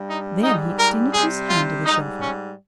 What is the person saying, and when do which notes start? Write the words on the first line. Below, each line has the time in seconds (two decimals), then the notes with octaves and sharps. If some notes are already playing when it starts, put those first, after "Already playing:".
Then he extended his hand to the chauffeur.
Already playing: G2 G3
0.08 D#4
0.43 G#2 G3 D#4
0.79 A#4
1.14 C3 G3 G#4
1.50 F4
1.86 G#2 G3 D#4
2.20 C#4